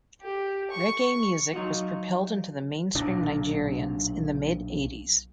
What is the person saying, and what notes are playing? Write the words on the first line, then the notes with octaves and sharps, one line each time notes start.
Reggae music was propelled into the mainstream Nigerians in the mid eighties.
G4
C#6
F#3 D#4 F4 F#4
B1 A#2 F#3 D4